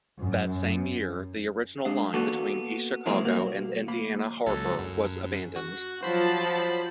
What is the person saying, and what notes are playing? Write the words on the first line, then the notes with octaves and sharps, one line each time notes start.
That same year, the original line between East Chicago and Indiana Harbor was abandoned.
F#2
G#3 D4 G#4 F5
A#3 B3 F#4 A4 A5
F#3 G#3 A#3 C4 E4
B1 G3 A#3 F#4
A#3 B5
C#2 F#3 A4
F#2
F#4
F3 F#3 C5 A5 B5